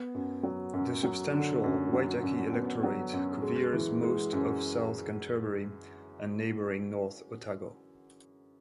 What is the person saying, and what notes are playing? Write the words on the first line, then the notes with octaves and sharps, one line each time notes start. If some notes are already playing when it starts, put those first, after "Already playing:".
The substantial Waitaki electorate coveres most of South Canterbury and neighbouring North Otago.
Already playing: B3
F#2
F#3
F#2
F#3
D3
F#2
F#3
F#2
B3
F#3
F#2
G#3
E3
G#3
F#2